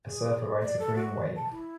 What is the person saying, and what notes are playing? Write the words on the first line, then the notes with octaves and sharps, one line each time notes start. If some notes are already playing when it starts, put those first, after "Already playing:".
A surfer rides a green wave.
G#4
D5
A4
F#4
A5
E4